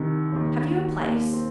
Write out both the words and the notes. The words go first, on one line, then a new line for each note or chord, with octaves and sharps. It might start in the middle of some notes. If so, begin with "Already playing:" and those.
"Have you a place?"
Already playing: C2 C3 D#3
D#2 D#3
D#2 D#3 A#3
C4